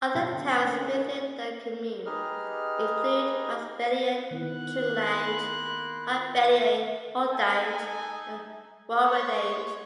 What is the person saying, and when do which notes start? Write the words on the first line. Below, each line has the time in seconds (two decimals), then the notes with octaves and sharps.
Other towns within the commune include Basbellain, Drinklange, Hautbellain, Huldange, and Wilwerdange.
0.15 B1 D3
0.64 G#2 A#3 C#4
2.06 D#4 G4 G#4 B4 D#5 F6
4.31 D#3 B3 E4 F#6
5.03 A#3 B5 C6
6.06 F4
7.34 D#4 A4 G#5
9.00 C5 C#5